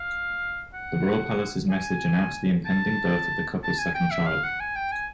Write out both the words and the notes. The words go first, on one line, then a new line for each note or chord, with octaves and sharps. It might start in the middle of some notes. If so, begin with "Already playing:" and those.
The royal palace's message announced the impending birth of the couple's second child.
Already playing: F5
F#5
G#5
A5
A5
G#5
G5
E5
F5
F#5
G#5
G5
G#5